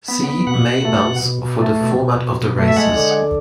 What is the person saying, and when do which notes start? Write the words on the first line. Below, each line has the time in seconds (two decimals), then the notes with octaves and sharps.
See May Bumps for the format of the races.
0.08 B3
0.28 B3
0.47 B2 F#5
0.66 B2
0.85 A3
1.04 B2
1.23 B2
1.42 B2
1.62 A3
1.81 B2
1.99 B2
2.19 B2
2.39 B2
2.58 A3
2.68 E5
2.76 G#3 F#5
2.96 D3